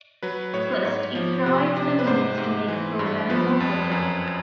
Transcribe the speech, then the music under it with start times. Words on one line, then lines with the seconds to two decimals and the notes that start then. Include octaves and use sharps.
First, it provides a means to make a program more portable.
0.23 F#3 B4
0.53 A2 C#5
0.84 G#2 C#5
1.15 F3
1.46 C3
1.77 C3
1.99 B4
2.07 G#2 C5
2.38 G#2
2.68 E3
2.99 G2
3.30 F3 B4
3.60 F2
3.92 F#2